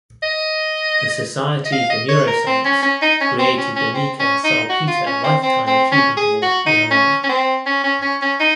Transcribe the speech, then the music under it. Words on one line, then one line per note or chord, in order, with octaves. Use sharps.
The Society for Neuroscience created the Mika Salpeter Lifetime Achievement Award in her honour.
D#5
D#5
F5
D#5
C#5
A#4
C4
C#4
C#4
D#4
C#4
C4
C#4
C#4
C4
C#4
D#4
F#4
F4
C#4
C4
C4
C4
C#4
G#4
F#4
D#4
C#4
C#4
C4
C#4
C#4
C#4
C#4
D#4